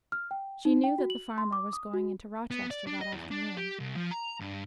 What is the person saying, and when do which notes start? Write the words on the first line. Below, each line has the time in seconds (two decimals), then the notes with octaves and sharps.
She knew that the farmer was going into Rochester that afternoon.
0.12 F6
0.31 G5
0.65 D#4
0.84 G5
0.98 F#4
1.10 F#7
1.38 C6
1.52 D6
1.73 D#6
1.93 F#4
2.51 B3
2.71 D5
2.87 D4
3.01 D#5
3.12 E2
3.31 D4
3.57 G4
3.79 C2
3.96 F3
4.11 A#5
4.40 G2